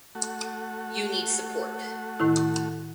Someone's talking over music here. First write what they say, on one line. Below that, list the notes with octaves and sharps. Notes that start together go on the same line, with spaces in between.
You need support.
A3 F#4
A2 D#3 E4